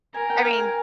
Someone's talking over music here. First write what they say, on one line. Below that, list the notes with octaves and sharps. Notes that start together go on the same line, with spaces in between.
I mean
A#4 G#5
G5
F5
G#5